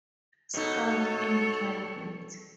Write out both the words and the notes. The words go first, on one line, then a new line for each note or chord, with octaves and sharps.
Skunk in private.
B2 D#4 A4 C#5